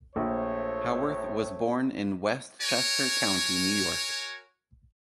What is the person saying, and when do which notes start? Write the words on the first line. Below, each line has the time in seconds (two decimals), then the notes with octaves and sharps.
Howarth was born in Westchester County, New York.
0.16 A#1 A3 F4 C5 C#5
2.60 F#4 A#4 C#5 G#5